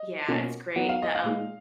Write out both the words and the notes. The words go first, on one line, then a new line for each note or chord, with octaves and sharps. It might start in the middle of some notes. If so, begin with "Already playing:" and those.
Yeah, it's great. The, um,
Already playing: D#5
B2 A#3 C#4 F4
F#3 B3 D#4 F#5
F5
D#5
F5
A#2 G#3 D#4